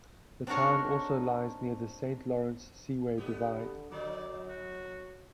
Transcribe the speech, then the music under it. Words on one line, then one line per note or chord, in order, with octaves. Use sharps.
The town also lies near the Saint Lawrence Seaway Divide.
C4 D4 D#4 F#4 A#4 C#5
B2 D3 B3 G4
F2 D3 D#3 F#3 D5
F#4